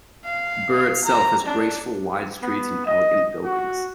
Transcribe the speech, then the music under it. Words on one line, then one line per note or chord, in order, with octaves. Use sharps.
Birr itself has graceful wide streets and elegant buildings.
F5
A#5
D4
B3
D#5
F#4